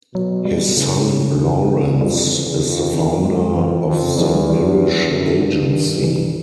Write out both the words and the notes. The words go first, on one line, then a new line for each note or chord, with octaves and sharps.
His son Lawrence is the founder of the Mirisch Agency.
B2 F#3
G3
A2 C#3
F2
E2
F2 G3
G3
D3
E2 C#3
C#3
F2 D3
E2 D#3
F2 G#3
F2 E3
F2 D#3
C#3
E2 F3
G3
G3
F#3
F3
F#2 D3
G2 D3
D#3
F3
E3